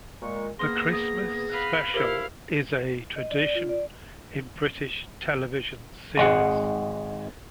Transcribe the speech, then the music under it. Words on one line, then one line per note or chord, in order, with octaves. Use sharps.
The Christmas special is a tradition in British television series.
A#2 G#3 C#6
A#3 B3 G#4 C6 D#6 F6 A#6
D#6
B4 F5 F#6
E4 G4 A#4 C5 F5
D#5
D5
F4
D5
G#1 G#3 F#5